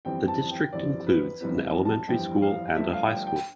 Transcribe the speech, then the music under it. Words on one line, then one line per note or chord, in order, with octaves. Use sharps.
The district includes an elementary school and high school.
G1 F2 E3 G3 C4 G5
A5
G5
G1 F2 E3 G3 C4 D5
B4
G1 F2 E3 G3 C4 B4
A5
G1 F2 E3 G3 C4 G5
F5
G1 G2 F3 A3 E5
F5
G5
G5